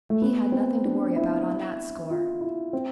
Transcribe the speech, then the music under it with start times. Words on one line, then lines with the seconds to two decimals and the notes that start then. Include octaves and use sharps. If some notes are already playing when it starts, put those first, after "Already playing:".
He had nothing to worry about on that score.
0.10 A3
0.22 B3
0.52 C4
0.85 D4
1.16 E4
2.10 F4
2.41 E4
2.73 C4